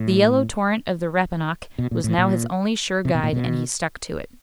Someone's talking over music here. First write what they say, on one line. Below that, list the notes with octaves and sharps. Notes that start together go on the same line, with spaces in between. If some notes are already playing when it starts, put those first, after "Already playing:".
The yellow torrent of the Rappahannock was now his only sure guide and he stuck to it.
Already playing: A2
B2
A#2
A2
A#2
C3
B2
A#2
B2